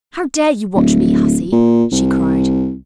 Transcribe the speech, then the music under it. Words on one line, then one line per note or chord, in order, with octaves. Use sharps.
"How dare you watch me, hussy?" she cried.
D1
A#2
C2